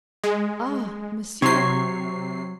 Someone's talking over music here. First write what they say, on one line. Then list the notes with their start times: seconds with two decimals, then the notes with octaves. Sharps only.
"Ah, monsieur!"
0.24 G#3
1.42 C3 F#3 C5 C#5 C7